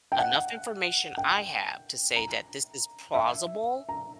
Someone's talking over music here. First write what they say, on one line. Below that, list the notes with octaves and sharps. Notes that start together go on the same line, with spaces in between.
enough information I have to say that this is plausible
G5
F#5
G5
A#5
E5
A#5